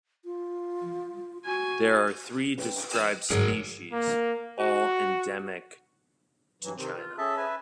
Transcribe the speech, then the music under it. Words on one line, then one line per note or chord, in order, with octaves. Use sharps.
There are three described species, all endemic to China.
F4
F#4 G#5
B4 G5
G1 G#2 F#3 G#3 G#4 A#4 G#6
A#3
F#4
G2 E3 F#3
C3 D#3 C4
F4
C#4 G#4 A4 E5 A5
B4 E5 G#5